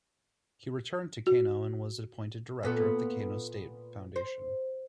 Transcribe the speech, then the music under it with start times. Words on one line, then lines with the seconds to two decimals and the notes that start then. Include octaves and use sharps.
He returned to Kano and was appointed Director of the Kano State Foundation.
1.27 F#4
2.63 A#2 B3 A4
4.16 C5